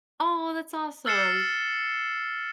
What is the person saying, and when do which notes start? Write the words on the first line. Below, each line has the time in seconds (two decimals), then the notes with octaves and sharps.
oh, that's awesome!
1.06 E6 F6 A6 C7 C#7 E7